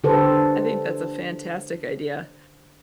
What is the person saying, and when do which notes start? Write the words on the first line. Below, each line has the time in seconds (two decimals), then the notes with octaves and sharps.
I think that's a fantastic idea.
0.04 D3 G4 A4 B4 C5